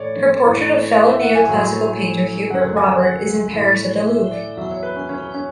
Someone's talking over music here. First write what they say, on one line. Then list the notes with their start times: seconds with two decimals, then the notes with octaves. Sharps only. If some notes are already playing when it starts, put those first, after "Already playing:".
Her portrait of fellow neoclassical painter Hubert Robert is in Paris at the Louvre.
Already playing: A2 E3 C#5 D5
0.44 A2 E3
1.09 E5
1.22 F#5
1.35 G#5
1.48 A2 F#3
2.50 F#2 D3 F#3 F#5
2.76 G#5
3.02 F#5
3.54 A2 E3
4.06 E5
4.31 D5
4.57 E2 B2 F#3 E5
4.70 C#5
4.83 B4
4.96 C#4
5.09 C#4
5.34 C#4